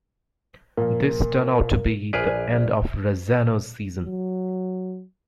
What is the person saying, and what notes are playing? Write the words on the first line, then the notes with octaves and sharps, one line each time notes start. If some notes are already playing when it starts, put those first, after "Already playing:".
This turned out to be the end of Razzano's season.
A#2 F3 A#4
A#1 G#4 B4 D5 G#5 F6 D7
F#3